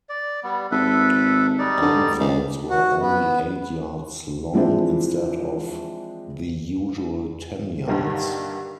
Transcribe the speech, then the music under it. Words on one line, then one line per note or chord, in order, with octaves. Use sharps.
End zones were only eight yards long instead of the usual ten yards.
D5
G3 B3
G#1 A4 B4 E5
G3 D#4 D5
D3
C#2
F#4
B3
E3 F3 G#3 C4 D4 E4
G2 D3 D#3 A#3